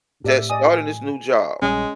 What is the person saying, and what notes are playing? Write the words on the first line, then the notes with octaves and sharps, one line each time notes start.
that's starting this new job
A2 G4 D5 E5
D5 D#5 G#5 D#6
A#1 G3 G#3 C#4 D#5